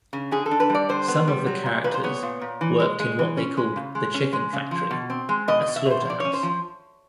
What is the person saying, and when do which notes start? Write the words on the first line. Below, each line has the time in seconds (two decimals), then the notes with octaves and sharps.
Some of the characters worked in what they called "the chicken factory", a slaughterhouse.
0.13 C#3
0.31 D3 G#4
0.46 A4
0.51 D4
0.60 B4
0.70 G3 D5
0.89 D3 C5
1.08 B3
1.28 G3
1.46 F#3
1.66 A#2
1.84 A#2 B4
1.94 C5
2.03 B3 C#5
2.23 A#2
2.41 A#2
2.61 E3
2.80 G#3
3.00 G#3
3.19 E3
3.37 C#4
3.57 G#3
3.76 C#3
3.95 G#3
4.14 C#4
4.33 G#3
4.53 C#3
4.71 F3
4.91 B2
5.10 C4
5.29 G#3
5.48 B2 D#5
5.62 D#5
5.68 B2
5.76 E5
5.86 B2 C5
6.05 F3 D5
6.20 C#4 C#5
6.33 C5
6.43 F3